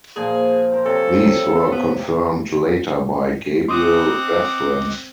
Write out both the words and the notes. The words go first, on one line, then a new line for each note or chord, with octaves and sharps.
These were confirmed later by Gabriel Bethlen.
A#2 F3 G#4 F5
A#4 C5
C3 A4 C#5 G#5
B3
C4 D#5 F#5 C6 D6 D#6